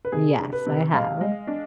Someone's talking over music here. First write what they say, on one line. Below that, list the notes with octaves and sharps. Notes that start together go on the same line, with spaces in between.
Yes, I have.
B4
C3 G#4
D4
B4
C3
G#3 F5
G#3
D4